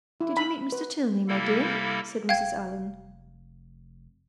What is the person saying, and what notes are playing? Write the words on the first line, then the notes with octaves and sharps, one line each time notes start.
"Did you meet Mr. Tilney, my dear?" said Mrs. Allen.
E4
B5
B4
C3 G3 A#3 E4 A4 F5
F1 F5 G5 G#6